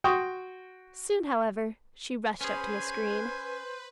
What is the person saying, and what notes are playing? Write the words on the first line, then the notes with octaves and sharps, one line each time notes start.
Soon, however, she rushed up to Miss Green.
F#4 G5 C6 C#6 D#6
C#4 G#4 B4 C5 G#5